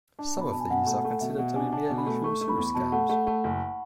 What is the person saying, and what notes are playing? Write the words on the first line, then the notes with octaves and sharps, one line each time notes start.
Some of these are considered to be merely Who's Who scams.
D4 A5
B2
B5
B2 A5
G#5
B2 F#5
A3
A3
B2 E5
B2 F#5
D4 G#5
D4 A5
B2
B5
A3
A3 C#6
A3
B5
E2
B5
B2 A5
A3 F#5
A3 F#5
A3
F#1